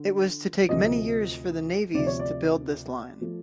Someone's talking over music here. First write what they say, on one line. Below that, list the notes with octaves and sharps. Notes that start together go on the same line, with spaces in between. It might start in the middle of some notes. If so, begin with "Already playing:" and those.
It was to take many years for the navvies to build this line.
Already playing: D3
D2 C3 F3 D#5
D2 C3 F3 D5
C#5
D5
F3 A3